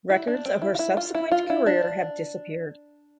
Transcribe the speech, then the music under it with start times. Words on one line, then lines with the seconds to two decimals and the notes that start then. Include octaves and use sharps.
Records of her subsequent career have disappeared.
0.10 E4
0.27 D4
0.45 C4
0.62 E4
0.74 F4
0.79 E4
0.97 F4
1.14 E4
1.31 F4
1.50 E4
1.66 D4